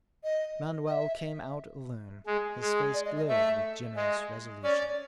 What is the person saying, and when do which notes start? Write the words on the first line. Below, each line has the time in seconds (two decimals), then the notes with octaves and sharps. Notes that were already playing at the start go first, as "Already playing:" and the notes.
Manoel came out alone; his face glowed with generous resolution.
0.24 D#5
0.86 D#5
0.91 E5
2.26 G#3
2.61 G#3
2.94 D5
3.06 D#5
3.17 D#5
3.28 A3 E5
3.96 G#3 D#5
4.63 C#4 D5